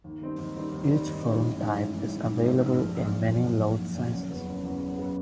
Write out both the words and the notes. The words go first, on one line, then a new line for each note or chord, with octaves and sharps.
Each film type is available in many load sizes.
D#2
D#3 G3 C4 D#4
D#2
D#3 G3 C4 D#4
D#2
D#3 G3 C4 D#4
D#2
D#3 G3 C4 D#4
A1
G#2 E3
A1
G#2 E3
A1
G#2 E3
A1
G#2 E3
A#1
A#2 F#3
A#1
A#2 F#3
A#1
A#2 F#3
A#1
A#2 F#3
F#1
E2 C#3 F#3 B3
F#1
E2 C#3 F#3 B3
F#1
C#3 F#3 B3